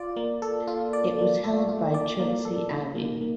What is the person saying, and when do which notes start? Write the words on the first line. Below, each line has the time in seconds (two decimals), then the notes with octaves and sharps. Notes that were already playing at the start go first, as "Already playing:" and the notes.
It was held by Chertsey Abbey.
Already playing: F4 D5
0.16 A#3
0.42 A4
0.67 F4
0.93 D5
1.18 A#3
1.44 A4
1.69 F4
1.94 D5
2.20 A#3
2.45 A4
2.70 D#4
2.96 A#3
3.21 A#3